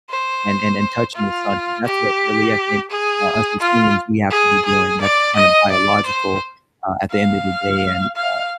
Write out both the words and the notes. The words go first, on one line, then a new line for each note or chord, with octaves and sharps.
and and and touching the sun 'cause that's what really, I think, uh, us as humans, we have to be doing, that's kind of biological, uh, at the end of the day, and, uh,
C5
F4
G4
G#4
F4
G#4
G#4
D5
D#5
D5
C5
F5
F5